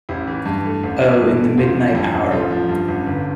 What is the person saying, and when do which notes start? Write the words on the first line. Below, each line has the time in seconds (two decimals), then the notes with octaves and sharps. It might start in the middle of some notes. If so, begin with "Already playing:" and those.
Oh, in the midnight hour.
0.09 A1 E4 G4
0.27 E3
0.46 G2
0.65 A3
0.83 A1
1.02 E3
1.20 G2
1.39 A3
1.58 A1 F4
1.76 F3
1.95 G2 E4 G4
2.13 A1
2.32 A1 F4 A4
2.50 F3
2.69 G2
2.88 A1
3.07 G1